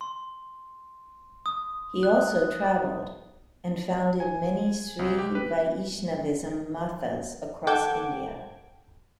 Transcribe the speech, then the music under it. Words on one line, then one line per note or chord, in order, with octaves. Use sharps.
He also travelled and founded many Sri Vaishnavism "mathas" across India.
C6
D#6
F#6
G#5
C2
G4
B4
A4 F#5 G5 D6 G6 G#6